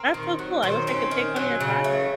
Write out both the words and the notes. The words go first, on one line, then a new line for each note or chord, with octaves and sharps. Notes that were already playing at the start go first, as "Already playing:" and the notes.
That's so cool, I wish I could take one of your classes.
Already playing: C4 A#4
D#3
F#3
D#3 C5
C4 C#4
D#3
F#3
C#3
A3